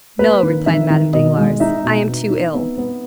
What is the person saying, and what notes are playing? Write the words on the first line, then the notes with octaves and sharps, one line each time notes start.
"No," replied Madame Danglars, "I am too ill."
A#3 B4
D#3
D#3 E5
D#3
B2 D#5
G#3
D#4 E5
B2
B3
D#4
B3
B3